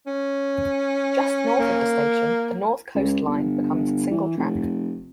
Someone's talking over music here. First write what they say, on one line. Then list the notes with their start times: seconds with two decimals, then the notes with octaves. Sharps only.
Just north of the station, the North Coast line becomes single track.
0.07 C#4
1.59 A#3
2.95 C#2
3.27 G1
4.11 E3
4.37 F1